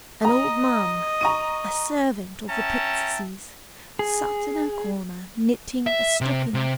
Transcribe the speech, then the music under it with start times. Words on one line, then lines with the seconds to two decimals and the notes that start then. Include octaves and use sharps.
An old man, a servant of the princesses, sat in a corner knitting a stocking.
0.25 D#5 A#5
1.21 A#5 C#6 D#7
2.49 C#4 E5 G5 A5 A#5
3.99 G#4
5.87 E5
6.21 C3
6.54 C3